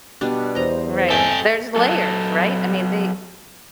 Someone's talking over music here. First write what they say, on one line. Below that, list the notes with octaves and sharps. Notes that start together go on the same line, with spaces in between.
Right, there's layers, right, I mean, they,
B2 G3 D4
E2 C5 D#5 A#5
C4 A4 D#5 E5 G5 G#5
F#3 A4